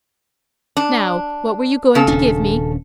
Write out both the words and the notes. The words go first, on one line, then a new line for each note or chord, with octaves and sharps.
Now, what were you going to give me?
D4
C#3 A4
D#1 C#4 D4